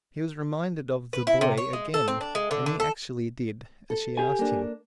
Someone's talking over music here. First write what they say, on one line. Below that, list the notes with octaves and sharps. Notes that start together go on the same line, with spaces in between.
He was reminded of "the boy" again, and he actually did as she asked him.
B4
E4
C3
C#5
G#3
A4
C4
D4
G#3
D3
D3
A4
A4
G4 G#5
A#3 D4